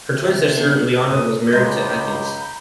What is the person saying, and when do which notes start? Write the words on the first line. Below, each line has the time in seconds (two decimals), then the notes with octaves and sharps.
Her twin sister Leona was married to Atkins.
0.11 C3
0.55 B3 D4
1.08 A4 D#6
1.53 C#2 G#3 A#5 B5 G6